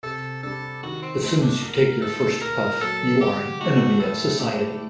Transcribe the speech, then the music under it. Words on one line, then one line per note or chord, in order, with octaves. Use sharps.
As soon as you take your first puff, you are an enemy of society.
C3 A4
G3 D4 A4
D#3 F#4
C4
A3 C4 D#4
D4
D3 A#4
A3 D#4 A4
A#2 A#4
F#3 A#3 A4
D3 G4
A3 D#4 F#4 G4
A2 A4
A3 D4 G4